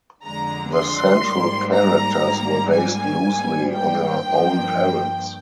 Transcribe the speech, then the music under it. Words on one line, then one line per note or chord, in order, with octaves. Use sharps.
The central characters were based loosely on her own parents.
F2 D3 G#3 A#5
C6
G#2 G3 A#3
A#5
G#2 G3 A#3
G#5
G#2 G3 A#3
G5
G2 F3 A#3